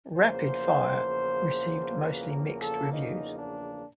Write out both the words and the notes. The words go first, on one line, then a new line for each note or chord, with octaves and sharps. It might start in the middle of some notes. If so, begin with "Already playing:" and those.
"Rapid Fire" received mostly mixed reviews.
E2 C#3 F3 A#3 C5
B4
A#4
A4
D#4
D4